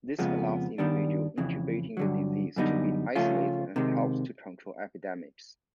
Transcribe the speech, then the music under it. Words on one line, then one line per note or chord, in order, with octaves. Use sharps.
This allows individuals incubating the disease to be isolated and helps to control epidemics.
F2 C#3 F3 G#3 B3
G2 D#3 G3 B3 D4
F2 C#3 E3
G2 D3 F#3
F#2 D3 G3 B3 D#4
C#3 F3 A3 C#4 F4
C3 D#3 G#3